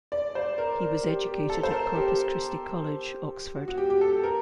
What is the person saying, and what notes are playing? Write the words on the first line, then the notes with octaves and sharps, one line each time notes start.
He was educated at Corpus Christi College, Oxford.
D5
C5
A#4
A#4
G4
G4
A4
C5
A#4
G4
F#4
F#4
G4
G4
A4
A#4